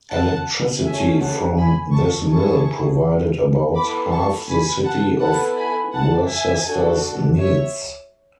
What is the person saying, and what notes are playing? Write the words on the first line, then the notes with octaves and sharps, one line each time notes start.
Electricity from this mill provided about half the city of Worcester's needs.
F#5 A5
A3 C#4 G#4 E5 G#5
F#5 A5
G#5 B5
A5 C#6
C#4 E4 G#4 A5 C#6
B3 E4 A4 B5 D6
A5 C#6
G#5 B5
F#5 A5
B3 E4 A4 F#5 A5
G#5 B5
F#5 A5
E5 G#5
D4 F#4 A4
C#5 E5